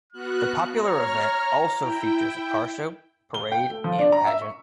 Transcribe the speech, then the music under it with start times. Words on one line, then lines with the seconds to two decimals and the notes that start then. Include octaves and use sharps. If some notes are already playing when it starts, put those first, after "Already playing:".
The popular event also features a car show, parade, and pageant.
0.13 B3 F#4 F6 F#6
0.76 C#5 A#5 F6
1.74 E4 G5
3.34 G7
3.52 G5
3.70 A3
3.84 F3
3.99 D4
4.12 A#5
4.27 E5
4.42 C#6